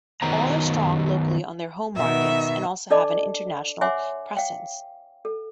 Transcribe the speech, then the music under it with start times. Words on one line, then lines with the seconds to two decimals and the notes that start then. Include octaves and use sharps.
All are strong locally on their home markets and also have an international presence.
0.22 D#3 F#3 B3 C5 A#5
1.96 B2 D#3 E5
2.90 D4 A4 D5 D#5 A5 D6
3.81 C#5 E5 F#5 G#5 C6 D6
4.37 F5 G5
5.25 A4